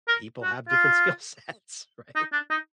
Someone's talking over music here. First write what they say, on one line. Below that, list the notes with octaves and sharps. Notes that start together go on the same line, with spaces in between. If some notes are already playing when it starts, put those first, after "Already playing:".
people have different skill sets, right?
A#4
F#4
F4
D#4
D4
D#4